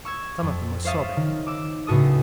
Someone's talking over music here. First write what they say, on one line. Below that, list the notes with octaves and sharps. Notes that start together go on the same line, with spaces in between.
Some of them were sobbing.
C#6 E6 G#6
F2
C5 C#5 E5 F5 D#6 A6
D#3
D6 E6
C#2 A2 F#4 A4 D#6